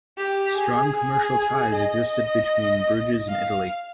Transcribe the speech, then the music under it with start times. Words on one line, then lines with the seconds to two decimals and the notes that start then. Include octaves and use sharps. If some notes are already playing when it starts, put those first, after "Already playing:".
Strong commercial ties existed between Bruges and Italy.
0.17 G4
0.57 G#4
0.96 G#4
1.73 D#5
3.29 F5